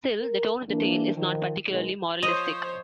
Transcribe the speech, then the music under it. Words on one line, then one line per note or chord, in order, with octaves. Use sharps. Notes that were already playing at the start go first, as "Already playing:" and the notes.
Still, the tone of the tale is not particularly moralistic.
A#4
E3 A#3 D4
D#3 F3
B2 D#3 G#3
F3 C5 C#5 D#5